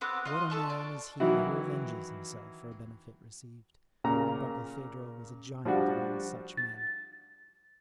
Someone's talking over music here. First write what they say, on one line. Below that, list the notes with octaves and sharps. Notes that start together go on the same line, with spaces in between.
What a man is he who revenges himself for a benefit received! Barkilphedro was a giant among such men.
B3 C4 F#5 D6
F4 D#5
A4 A5 C#6
D5
D#3 E3 F#3 E4 F#4
A#2 C#3 A#4 A#5
F3 G3 D4 F#4
A6